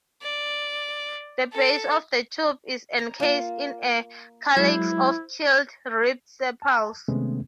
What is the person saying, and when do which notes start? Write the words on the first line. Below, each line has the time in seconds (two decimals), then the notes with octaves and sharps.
The base of the tube is encased in a calyx of keeled, ribbed sepals.
0.22 D5
1.52 A4
2.99 A#5
3.20 A#3 F4
4.57 F#3 G#3 E4 C5
6.62 A5
7.08 C3 D#3 G#3 A3 B3 C#4